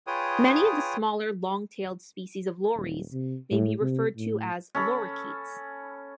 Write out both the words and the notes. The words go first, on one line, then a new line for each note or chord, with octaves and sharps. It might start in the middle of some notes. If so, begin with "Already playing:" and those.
Many of the smaller, long-tailed species of lories may be referred to as "lorikeets".
F4 G#4 B4 C#5 G5 D#6
D#1
C3
A2
C3
A2
C#4 A4 B5